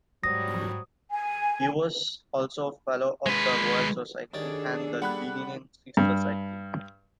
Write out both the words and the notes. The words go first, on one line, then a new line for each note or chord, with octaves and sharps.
He was also a Fellow of the Royal Society and the Linnean Society.
G#2 F#3 G3 C5 D#6 A#6
G#5
G#3 B4
D#2 C#4 D4 G#4 A4 D5
G3 F#5 B5 F#6
G2